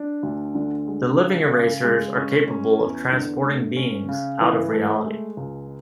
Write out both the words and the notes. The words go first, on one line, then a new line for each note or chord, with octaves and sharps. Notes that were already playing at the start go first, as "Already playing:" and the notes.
The Living Erasers are capable of transporting beings out of reality.
Already playing: D4
D2
D3
G#3
C#3
C#3
G#3
C#4
C#4
E2
D3
A3
C#4
C#3
E3
A3
G#3
C#2